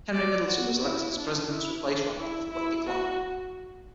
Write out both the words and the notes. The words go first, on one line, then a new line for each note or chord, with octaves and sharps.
Henry Middleton was elected as president to replace Randolph, but he declined.
D5
F#4
E4
D4
E4
D4
E4
E4
F#4